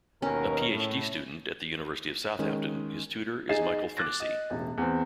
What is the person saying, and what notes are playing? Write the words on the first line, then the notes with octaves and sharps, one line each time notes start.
A Phd student at the University of Southampton, his tutor is Michael Finnissy.
D#2 B2 C#4 A#4
A2
D#3 G#3 C#4
D#4 G#4 A6 C7 E7
D6 F#6 A6 A#6
D#5
E1 A1
E2 C4